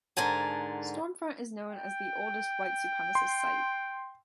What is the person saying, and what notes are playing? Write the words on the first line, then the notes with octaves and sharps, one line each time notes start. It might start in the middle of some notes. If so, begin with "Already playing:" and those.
Stormfront is known as the oldest white supremacist site.
G#2 D3 A#4 G#5 A5
G5
C6